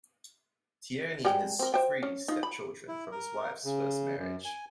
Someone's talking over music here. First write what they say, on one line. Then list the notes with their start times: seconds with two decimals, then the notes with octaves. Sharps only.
Tierney has three stepchildren from his wife's first marriage.
1.25 G3 G#3 G5
1.59 C4 A#4
1.74 C5 E5 G5
2.03 C#4
2.28 D#4 F4
2.43 B5
2.88 E4
3.11 A#4
3.65 C#3
4.17 F#2
4.45 G#5